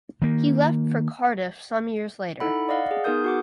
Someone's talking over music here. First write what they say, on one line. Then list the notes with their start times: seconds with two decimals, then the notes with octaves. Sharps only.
He left for Cardiff some years later.
0.22 D#3 A#3
2.40 D#4 E4 A4 F#5 B5
2.69 D5 D#5 F5 F#5
2.91 G#4
3.04 B3 D#4 G#4 A#4 D#6 G6
3.24 F#4 F#5 D6